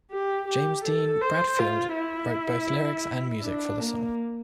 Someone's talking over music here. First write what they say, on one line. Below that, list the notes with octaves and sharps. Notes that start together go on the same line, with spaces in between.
James Dean Bradfield wrote both lyrics and music for the song.
G4
G4
A4
C5
F4
E4
D4
A#3